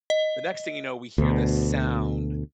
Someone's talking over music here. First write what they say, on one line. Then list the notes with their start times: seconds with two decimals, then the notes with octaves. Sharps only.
the next thing you know, we hear this sound
0.10 D#5
1.18 D2 B2